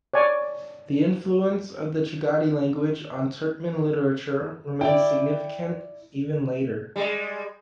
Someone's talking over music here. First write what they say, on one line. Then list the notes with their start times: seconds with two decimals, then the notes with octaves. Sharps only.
The influence of the Chagatai language on Turkmen literature remained significant even later.
0.13 C#5 D5 G#5
4.81 E4 D5 G5
6.96 G3 G#3